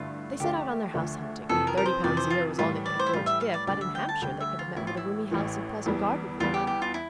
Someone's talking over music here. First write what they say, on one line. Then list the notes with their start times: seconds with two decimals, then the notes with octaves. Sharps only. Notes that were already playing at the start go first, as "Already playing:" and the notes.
They set out on their house-hunting. Thirty pounds a-year was all they could afford to give, but in Hampshire they could have met with a roomy house and pleasant garden for the money.
Already playing: G2 D3 A3 E4 F4
0.40 D2 D3 F3 A3 D4 G4
0.94 D2 D3 F3 A3 D4
1.49 F2 C3 E3 A4
1.67 A#4
1.77 A#4
1.86 C5
2.04 F2 C3 E3 D5
2.17 C5
2.30 F4
2.58 A2 E3 G3 F4
2.85 D5
2.99 C5
3.06 E4
3.13 A2 E3 G3 F4
3.26 E5
3.41 F5
3.54 D5
3.67 D2 D3 G3 D5
3.81 E5
3.95 G5
4.09 A5
4.22 D2 D3 G3 G5
4.40 E5
4.59 F4
4.76 A1 A2 E3 E4
4.87 F4
4.97 E4
5.31 A1 A2 E3
5.86 E2 E3 G3
6.40 E2 E3 G3 F4
6.54 G4
6.67 G4
6.82 F4
6.94 E4